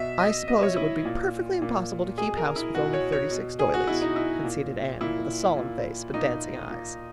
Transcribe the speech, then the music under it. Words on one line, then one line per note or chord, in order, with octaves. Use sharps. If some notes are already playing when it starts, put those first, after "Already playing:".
"I suppose it would be perfectly impossible to keep house with only thirty-six doilies," conceded Anne, with a solemn face but dancing eyes.
Already playing: B2 E5
D#5
B2 D#5
C#5
E4
A#2
A#2
B2 G#4
A#4
E4
B2 F#4
C#5
C#5
B2
G#4
F#4
B2 E4
D#4
E4
A#2
A#2 E4
A#2
A#2 D#4
A#2